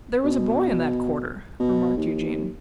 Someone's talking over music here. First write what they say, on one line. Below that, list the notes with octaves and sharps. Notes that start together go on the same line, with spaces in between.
'There was a boy in that quarter,' remarked Eugene.
B2
B2
D#2